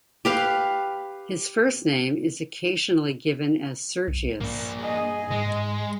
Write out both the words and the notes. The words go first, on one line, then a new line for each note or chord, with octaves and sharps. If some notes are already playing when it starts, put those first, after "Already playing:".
His first name is occasionally given as "Sergius".
G4 B4 F5
B1
G2 A#3 D4
G#4 D#5
G#2 G#3